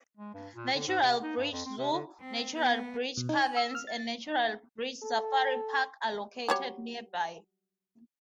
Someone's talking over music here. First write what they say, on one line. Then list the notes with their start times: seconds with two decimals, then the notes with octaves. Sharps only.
Natural Bridge Zoo, Natural Bridge Caverns and Natural Bridge Safari Park are located nearby.
0.17 G#3
0.34 G2
0.55 A#2
0.74 D3
0.87 G#2
1.02 C3
1.21 D#4
1.37 G2
1.52 F2
1.65 C4
1.78 C3
1.92 D3
2.20 C4
2.54 B3
3.17 B2
3.29 D#4
3.42 G#5
3.57 E6
3.75 F6
3.87 A6
5.03 A4
6.48 F#3 G3 C#5